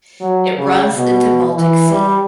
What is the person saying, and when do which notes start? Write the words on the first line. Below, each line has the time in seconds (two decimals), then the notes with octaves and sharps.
It runs into Baltic Sea.
0.21 F#3
0.58 C#3
0.94 B2
1.56 E3
1.91 G3